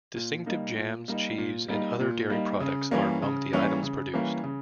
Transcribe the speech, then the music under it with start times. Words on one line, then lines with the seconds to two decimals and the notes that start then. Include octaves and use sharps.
Distinctive jams, cheese and other dairy products are among the items produced.
0.15 A#2
0.46 G3 A#3 D#4
0.77 A#2
1.08 G3 A#3 D#4
1.38 A#2
1.68 G3 A#3 D#4
2.00 A#2
2.30 G3 A#3 D#4
2.60 C#3
2.91 E3 G3 A#3 C#4
3.22 C#3
3.53 E3 G3 A#3 C#4
3.83 C#3
4.14 E3 G3 A#3 C#4
4.44 C#3